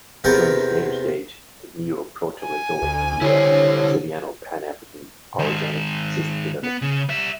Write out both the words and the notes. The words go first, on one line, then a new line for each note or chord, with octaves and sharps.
During this later stage, the Neoproterozoic era, a Brasiliano-Pan African orogenic system developed.
E2 C3 B3 A#4 G5
G#5
D2
D3 E4 G4 C5 C#5
D#3 G#3
B3
C#3
G3 E5